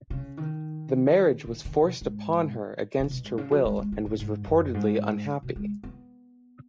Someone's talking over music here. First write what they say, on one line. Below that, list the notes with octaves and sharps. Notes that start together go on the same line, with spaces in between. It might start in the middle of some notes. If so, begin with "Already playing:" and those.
The marriage was forced upon her against her will and was reportedly unhappy.
C#3
D#3
D#3
D#3
B2
G#2
C#3
B2
G#2
C#3
F#3
G#3
G#3
B3
G#2
G#2
F#2
G#2
B2
G#3
B3